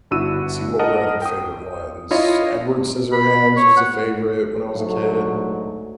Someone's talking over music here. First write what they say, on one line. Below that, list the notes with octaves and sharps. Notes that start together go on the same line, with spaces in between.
let's see what were other favorite ones. Edward Scissorhands was a favorite when I was a kid.
G1 D4 E4 F#4 E6 D#7
A#4 D#5 F#5 A5
G5 D#6
D4 E4 F4 C#5 D#5
B5
C#5
F#5
D2 G#2 F#3 A3